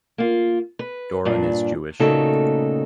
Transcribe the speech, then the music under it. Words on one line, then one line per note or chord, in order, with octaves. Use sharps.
Doron is Jewish.
A#3 F4
B4
G2 A#2 D4
A#2 C#3 A3 D#4 F#4 A4